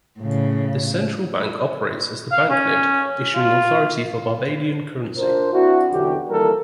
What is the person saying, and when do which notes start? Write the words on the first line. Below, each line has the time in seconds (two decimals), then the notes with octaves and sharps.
The Central Bank operates as the banknote issuing authority for Barbadian currency.
0.20 A2 C#3
2.32 F5
2.50 C#4
3.35 F4
5.17 D4 F4 A#4 C5
5.53 C4 D4 E4 F#4
5.91 B1 E2 D3 F#4 G4
6.30 D#3 E3 G3 A#3 A4 A#4